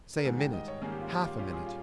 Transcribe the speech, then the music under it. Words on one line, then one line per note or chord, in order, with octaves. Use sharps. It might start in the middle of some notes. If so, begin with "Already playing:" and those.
Say a minute--half a minute.
A#4
G#2 D#3 G3 G#4
G5
D#5
C#5
G#2 D#3 G3 A#3 C#4 G#4
G4
F4
G4
F4
A#2 G3 C#4 F4 G4
G#4
F4